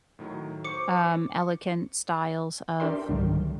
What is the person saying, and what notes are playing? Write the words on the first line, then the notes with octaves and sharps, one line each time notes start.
um, elegant styles of
A2 D#3 F#3
C5 C#6 D6 C#7
D4 G4 A#4 D5 E5 C6
C#2 G#2 D3 D#3 F#3 G3